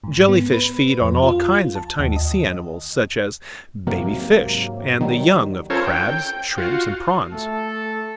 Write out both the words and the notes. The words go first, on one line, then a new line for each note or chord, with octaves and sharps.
Jelly-fish feed on all kinds of tiny sea animals, such as baby fish, and the young of crabs, shrimps, and prawns.
G#2
B3
B4
F2
F4
A5
D#2
D#5
G#2 C3 F#3 A#3
D#3 F#3 G3
C#4 F4 A4 A#4 C5 C#5
G5
F4 F#4
A3 A4